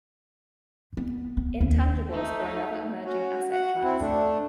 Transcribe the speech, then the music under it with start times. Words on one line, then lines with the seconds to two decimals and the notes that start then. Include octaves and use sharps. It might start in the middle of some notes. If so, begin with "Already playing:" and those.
Intangibles are another emerging asset class.
0.97 B3
1.37 B3
1.60 D#2
2.10 A3 D#4
3.05 C#4 F#4
3.51 F#4 F#5
3.83 C4 E4
3.99 A3 D4